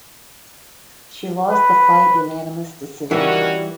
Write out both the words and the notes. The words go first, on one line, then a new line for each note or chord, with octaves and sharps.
She lost the fight unanimous decision.
B4
D#3 E3 G3 C#4 F#4